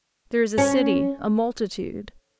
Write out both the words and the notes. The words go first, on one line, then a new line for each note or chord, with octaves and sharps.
There is a city, a multitude--.
C#4